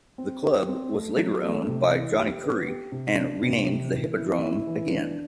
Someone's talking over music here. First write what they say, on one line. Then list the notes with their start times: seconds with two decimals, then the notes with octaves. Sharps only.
The club was later owned by Johnnie Currie and renamed The Hippodrome again.
0.18 C4
0.43 G4
0.68 C4
0.93 A3
1.17 F#3
1.42 A3
1.68 C3
1.92 E3
2.18 G4
2.43 B3
2.68 G4
2.92 C3
3.18 D4
3.42 C3
3.67 C3
3.93 E3
4.17 E4
4.42 E4
4.67 E3
4.91 D4